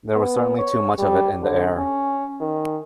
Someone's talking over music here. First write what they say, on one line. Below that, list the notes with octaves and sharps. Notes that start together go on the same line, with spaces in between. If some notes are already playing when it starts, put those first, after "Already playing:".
There was certainly too much of it in the air.
B3
C#5
G3
D3
C#4
D#3